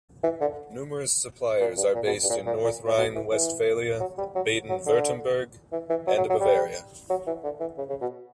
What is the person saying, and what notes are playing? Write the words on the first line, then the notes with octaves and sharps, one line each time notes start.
Numerous suppliers are based in North Rhine-Westphalia, Baden-Württemberg and Bavaria.
E3
D3
A#2
G2
A#2
B2
G2
A#2
A#2
A#2
A#2
B2
E3
E3
F#3
G3
F#3
F#3
D3
E3
E3
F#3
F#3
F#3
G3
F#3
E3
D3
E3
C#3
C#3
B2